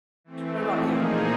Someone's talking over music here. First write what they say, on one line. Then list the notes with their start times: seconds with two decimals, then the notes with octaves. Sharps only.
what about you?
0.24 E3 A3 C4
0.73 A#2 F3 A#3 D#4 G#4